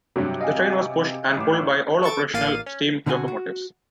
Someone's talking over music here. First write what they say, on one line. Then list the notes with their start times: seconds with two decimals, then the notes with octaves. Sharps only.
The train was pushed and pulled by all operational steam locomotives.
0.16 G2 C3 F#3
0.41 D#5 F5 G#5
1.37 A1 D6
2.03 A4 C#6 A6 D7
2.34 A1 A#3 F5 A6 D#7
2.66 C#4
3.06 B2 D3 C4 E4 F#4 G#5
3.28 F#4